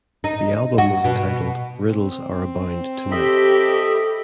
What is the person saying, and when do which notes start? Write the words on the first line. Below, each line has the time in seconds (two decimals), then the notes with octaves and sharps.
The album was entitled "Riddles Are Abound Tonight".
0.24 D#4
0.78 F#4
1.05 B2
1.88 C4
3.12 G4 A4 D#5 E5 B5